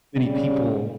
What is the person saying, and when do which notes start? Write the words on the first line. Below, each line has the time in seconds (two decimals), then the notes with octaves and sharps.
many people
0.15 C#3 G3